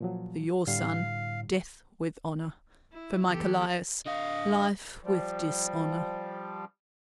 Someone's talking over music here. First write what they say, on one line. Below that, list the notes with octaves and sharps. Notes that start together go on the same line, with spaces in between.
For your son, death with honour. For my Callias, life with dishonour.
A#2 F3 F#3
A2 D3 G3 F5
E4
E3 B3 G4 A4
D3 D#5 F5
F3 G3